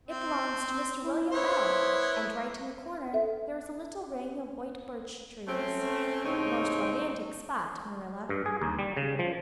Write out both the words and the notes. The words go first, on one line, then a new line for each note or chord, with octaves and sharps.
It belongs to Mr. William Bell, and right in the corner there is a little ring of white birch trees--the most romantic spot, Marilla.
C4
E4
B3 E4 C5 C#5
A4 E5
A3 C4 C#4
D#2 A2 C#3 C4 D#4 C#5
G2
G#4
D#2
G3
C#3
F3